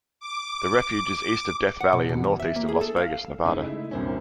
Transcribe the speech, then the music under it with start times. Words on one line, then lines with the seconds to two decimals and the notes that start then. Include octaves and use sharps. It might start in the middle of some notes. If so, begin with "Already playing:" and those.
The refuge is east of Death Valley and northeast of Las Vegas, Nevada.
0.20 D6
1.81 F#5
1.93 B2
2.09 B2
2.24 E2
2.40 E5
2.56 A#3
2.69 G#4
2.81 A4
2.96 F5
3.46 C#3 G#3 A3 D#4 E4
3.91 C2 A#2 D3 C4 C#4